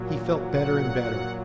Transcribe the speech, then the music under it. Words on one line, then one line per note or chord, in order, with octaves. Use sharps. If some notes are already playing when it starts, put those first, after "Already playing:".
He felt better and better.
Already playing: A#2 F#3
F#5